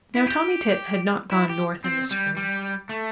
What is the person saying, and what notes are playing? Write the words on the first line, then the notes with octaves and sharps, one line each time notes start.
Now Tommy Tit had not gone north in the spring.
E4
G4
E4
G4
C4
G3
G3
A3